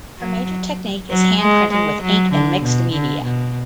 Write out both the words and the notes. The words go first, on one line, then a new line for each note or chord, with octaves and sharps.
Her major technique is hand printing with ink and mixed media.
F#3
F#3
G#3
G#3
F#3
D3
B2
D3
B2